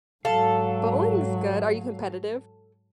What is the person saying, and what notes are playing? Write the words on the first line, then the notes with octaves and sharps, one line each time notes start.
bowling's good. Are you competitive?
G#2 F#3 A4 F5